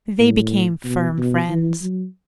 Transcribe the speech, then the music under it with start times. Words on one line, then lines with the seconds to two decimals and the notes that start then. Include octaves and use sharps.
They became firm friends.
0.19 A2
0.84 B2
1.18 B2
1.49 E3
1.82 F#3